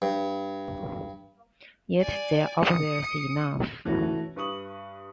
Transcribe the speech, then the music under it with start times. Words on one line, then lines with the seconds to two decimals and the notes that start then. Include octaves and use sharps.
Yet they are obvious enough.
0.02 G2
2.00 D5 G#5
2.61 D#6 C#7
3.85 E3 A3 C#4 F#4 B4
4.36 G2 B4 C#6 D#6 F#7